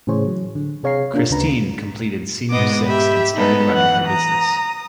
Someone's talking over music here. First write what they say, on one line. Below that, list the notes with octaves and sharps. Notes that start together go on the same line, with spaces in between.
Christine completed Senior Six and started running her business.
A2 C#3 E3 G#4 C5 C#5
F#3
D3
C3 G#4 C#5 F5 A#5 C7
A#3 D4 F4 A#4
D2 C#3 C#4 D4 B4 A#5
G#2 B3 D#5 D6
G4 E5 B5
G#3 B3 D#4 A4
E3 F#5
A#5 D#6